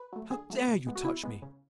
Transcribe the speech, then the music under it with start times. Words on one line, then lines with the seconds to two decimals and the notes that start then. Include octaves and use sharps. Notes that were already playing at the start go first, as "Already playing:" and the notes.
How dare you touch me?
Already playing: B4
0.12 F#3 A3
0.30 D3 G#4
0.50 F#3 A3
0.68 B2
0.87 G#3 B3
0.95 F#4
1.05 B2 E4
1.23 G#3 B3
1.42 C#3